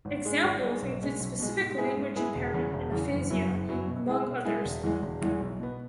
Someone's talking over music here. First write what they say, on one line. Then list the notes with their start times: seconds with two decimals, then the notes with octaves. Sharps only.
Examples include specific language impairment and aphasia, among others.
0.05 G#1
0.25 G#2 G#3
0.44 G#1
0.63 G#2 G#3
0.82 B1
1.01 B2 G#3
1.20 B1
1.40 B2 G#3
1.59 G#2
1.77 G#3 B3 E4 G#4
1.97 G#2
2.16 G#3 B3 E4 G#4
2.35 E1
2.54 E2 C#3 E3
2.73 E1
2.92 E2 C#3 E3
3.11 F#1
3.30 F#2 F#3 B3 E4
3.50 F#1
3.68 F#2 F#3 B3 E4
3.88 B2
4.07 G#3 E4 G#4
4.26 B2
4.45 G#3 E4 G#4
4.65 E1
4.83 E2 E3 G#3
5.02 E1
5.22 E2 E3 G#3
5.40 B1
5.60 B2 B3